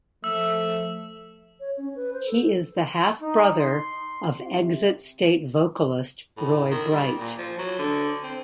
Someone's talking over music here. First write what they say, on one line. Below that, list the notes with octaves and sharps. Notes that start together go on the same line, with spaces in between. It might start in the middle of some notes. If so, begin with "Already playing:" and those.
He is the half-brother of Exit State vocalist Roy Bright.
F3 A3 E5 E6
C#5
C#4
B4
C5
A4
D#4
C6
C3
A2
D#3
G3
A#2
F3
F#3
D3
C4